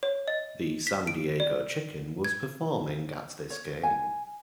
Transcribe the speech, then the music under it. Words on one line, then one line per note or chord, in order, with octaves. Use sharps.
The San Diego Chicken was performing at this game.
C#5
D#5
B6
D7
D5
G#6
C#5
G#5